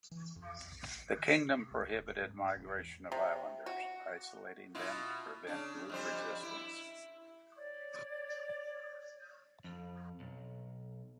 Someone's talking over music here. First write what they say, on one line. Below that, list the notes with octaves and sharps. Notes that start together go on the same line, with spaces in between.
The kingdom prohibited migration of islanders, isolating them to prevent group resistance.
E3
F2
B1
A1
D#3
C3
C#2
D#1
G#2
E1
E2
C3
F#4
B2 E4 F4
C#3 D4
F2 G3 C5
E4
C#5 D5 G#6
F2
B1